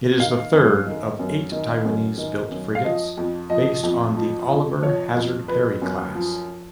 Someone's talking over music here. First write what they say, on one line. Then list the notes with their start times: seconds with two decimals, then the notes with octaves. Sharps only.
It is the third of eight Taiwanese-built frigates based on the "Oliver Hazard Perry"-class.
0.20 D#3 F5
0.53 F#2
0.86 D#3
1.19 F#2
1.52 D#3
1.85 F#2
2.18 D#3
2.51 F#2
2.75 F5
2.85 F3 D#5
3.17 F2
3.50 F3 D#5
3.83 F2
4.17 F3
4.49 F2
4.82 F3 C#5
5.15 F2
5.48 F3 B4
5.82 F#2
6.15 F3